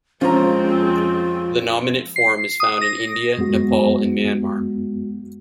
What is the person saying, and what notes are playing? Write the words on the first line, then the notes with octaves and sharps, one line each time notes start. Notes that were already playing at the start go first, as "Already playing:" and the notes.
The nominate form is found in India, Nepal and Myanmar.
F2 F3 G#3 C4 C#4 F4 A#5
C7
D#6
A#6
F#2 G#3 B3 F#4